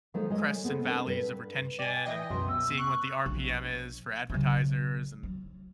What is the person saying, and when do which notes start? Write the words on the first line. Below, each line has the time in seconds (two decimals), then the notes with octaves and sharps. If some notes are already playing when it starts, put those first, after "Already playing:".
crests and valleys of retention, and seeing what the RPM is for advertisers, and,
0.14 D#3 F3 G#3 A3 D#4 C5
0.30 G#3 C#5 D#5
0.64 B3 C4 G#4 A4
0.85 C4 D4 A#4
1.05 G2 B4
1.79 D5 G5 G#5
2.06 E3 D#5 E5 G5
2.30 C#2 F#2 B2 C6
2.48 B3 E6
2.77 C#6 F#6
3.26 A#1
4.30 C#3 F#3
5.23 F#3